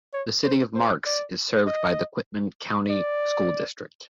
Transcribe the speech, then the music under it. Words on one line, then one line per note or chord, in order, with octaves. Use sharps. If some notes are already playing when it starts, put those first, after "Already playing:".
The City of Marks is served by the Quitman County School District.
C#5
C5
C5
D5
D#5
D5